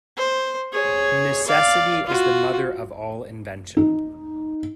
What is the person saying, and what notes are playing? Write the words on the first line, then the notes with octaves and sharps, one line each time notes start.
Necessity is the mother of all invention.
C5
G#4 C#5
D5 F5
F4 F#4
D#4